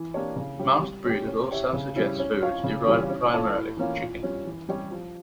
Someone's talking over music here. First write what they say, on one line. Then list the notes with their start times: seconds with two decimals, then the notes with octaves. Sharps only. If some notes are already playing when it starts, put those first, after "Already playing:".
Most breeders also suggest foods derived primarily from chicken.
Already playing: E3
0.14 A#3 D4 G4 C#5
0.36 C#3
0.59 G3 C#4 G4
0.82 G3
1.05 C#4 G4
1.27 C#4
1.51 G4 C#5 E5
1.73 C#3
1.96 G3 C#4 E4
2.19 C#4
2.41 F4 C#5 F5
2.64 C#3
2.86 E3 G3 C#4 F4
3.10 C#4
3.33 F4 A4 C#5
3.55 A2
3.77 E3 A#3 C#4 F4
4.01 A#2
4.23 G3 C#4
4.45 E3
4.69 G3 C#4 G4 C#5
4.91 F3